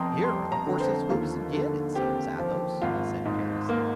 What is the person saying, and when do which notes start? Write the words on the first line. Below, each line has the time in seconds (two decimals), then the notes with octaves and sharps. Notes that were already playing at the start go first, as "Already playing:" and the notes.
"Here are the horse's hoofs again, it seems, Athos," he said carelessly.
Already playing: F1 F2 G5 A#5 C6 D#6
0.24 G3 C6
0.52 A#5
0.67 D3
0.80 C5
1.09 D#2 F4
1.53 D3
1.95 C4 G4
2.39 F3
2.82 G#1 F4
3.25 G#2
3.69 A#3